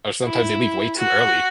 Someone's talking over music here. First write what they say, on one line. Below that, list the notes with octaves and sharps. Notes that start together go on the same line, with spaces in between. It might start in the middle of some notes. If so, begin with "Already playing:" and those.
or sometimes they leave way too early.
E4
F#4